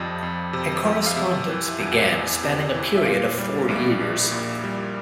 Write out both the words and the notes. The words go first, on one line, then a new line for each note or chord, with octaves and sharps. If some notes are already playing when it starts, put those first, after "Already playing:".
A correspondence began, spanning a period of four years.
Already playing: F2 C3 F3 D5 D#5
F2
C3
F3
F5
C3 E5
E3
E2
E2
C3
E3
E5
A#2 F5
G3
A#1
A#1
A#2
G3